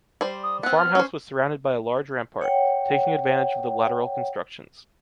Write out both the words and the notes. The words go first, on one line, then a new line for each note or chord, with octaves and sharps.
The farmhouse was surrounded by a large rampart, taking advantage of the lateral constructions.
G3 C5
D#6
B3 C4 F#6
F6
C#4 C5
C#5 F#5 G5